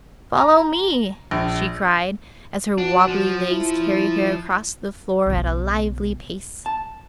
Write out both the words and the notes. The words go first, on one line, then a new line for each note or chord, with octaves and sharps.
"Follow me!" she cried as her wobbly legs carried her across the floor at a lively pace.
A#5
A#1
D4 F#4
F3
E4
B1 C#3
A5